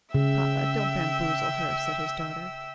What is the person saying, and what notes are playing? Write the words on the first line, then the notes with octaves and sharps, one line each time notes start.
"Papa, don't bamboozle her," said his daughter.
C#3 E5 G5 E6